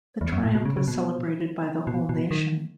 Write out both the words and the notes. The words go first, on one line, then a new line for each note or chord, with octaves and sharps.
The triumph was celebrated by the whole nation.
E2
F#2
A2
B2
C#3
C#3
B2
B2
B2
D#3